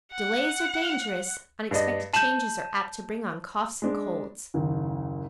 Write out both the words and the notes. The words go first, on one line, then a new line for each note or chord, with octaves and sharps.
Delays are dangerous unexpected changes are apt to bring on Coughs and Colds.
F#5
G2 D5 D#5
A5 G6 D#7 E7 F#7
G#3 D4
F#1 D#2